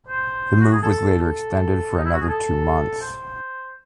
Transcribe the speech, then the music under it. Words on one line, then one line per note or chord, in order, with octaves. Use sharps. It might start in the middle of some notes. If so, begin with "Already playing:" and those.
The move was later extended for another two months.
C5
F#4
G#4
A4
A4
D#4
E4
F#4
G#4
A4
C5